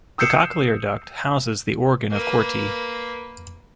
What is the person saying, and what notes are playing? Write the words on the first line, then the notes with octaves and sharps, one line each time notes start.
The cochlear duct houses the organ of Corti.
D#6 E6 G6 C7 C#7 E7
A#3 B4